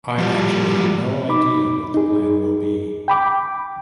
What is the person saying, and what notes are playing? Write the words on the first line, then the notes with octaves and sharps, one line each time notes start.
I actually have no idea what the plan will be.
F3 G3
D#4 B5 D6
D#4 G#4
G5 B5 D6